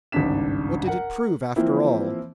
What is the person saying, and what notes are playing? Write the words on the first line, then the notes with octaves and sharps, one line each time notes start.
What did it prove after all?
G#1 C#2 G2 D4 B6 E7
A#4 F#5
E3 F3 A#3 C4 E4